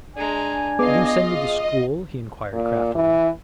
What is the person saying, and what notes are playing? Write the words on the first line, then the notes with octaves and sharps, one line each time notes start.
"Would you send me to school?" he inquired craftily.
G#3 D4 G#5 A#5
B3 F4 G#4 D#5 F5 D6
A#2
E3